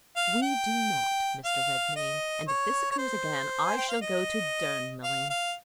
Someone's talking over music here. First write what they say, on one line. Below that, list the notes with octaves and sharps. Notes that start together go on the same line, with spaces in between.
"We do not, Mr. Redmain; and, if this occurs again, I shall go to Durnmelling."
F5
G5
F5
D#5
C#5
C#5
C5
G#5
G5
F5
D#5
F5
F5